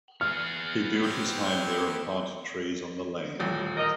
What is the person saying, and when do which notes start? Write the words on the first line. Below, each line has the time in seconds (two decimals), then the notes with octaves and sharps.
He built his home there and planted trees on the land.
0.21 B3 G#4 F6
1.03 C4 G4
3.39 D#1 A1
3.77 A#4 D#5